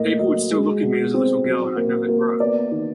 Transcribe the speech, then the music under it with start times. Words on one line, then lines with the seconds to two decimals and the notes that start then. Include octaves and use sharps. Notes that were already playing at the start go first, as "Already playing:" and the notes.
People would still look at me as a little girl and I'd never grow.
Already playing: A2 A#3 D#5
0.19 F#3 D#5
0.51 G#3
0.83 B2
1.14 C4
1.45 F#3
1.76 A#3
2.09 A#3
2.40 B3 D5
2.71 D#3